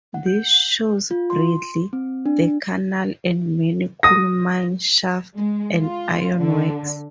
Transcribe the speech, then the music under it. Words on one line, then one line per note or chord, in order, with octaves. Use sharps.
This shows Bradley, the canal and many coal mine shafts and iron works.
F#5
G6
F4
C6
C4
D4
D#6 A#6
G#3
F4
D3